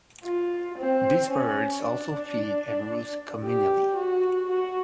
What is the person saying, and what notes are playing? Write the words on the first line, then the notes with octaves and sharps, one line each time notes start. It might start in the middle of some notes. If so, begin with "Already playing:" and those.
These birds also feed and roost communally.
F4
C4
C#4
D4
G4
F#4
F#4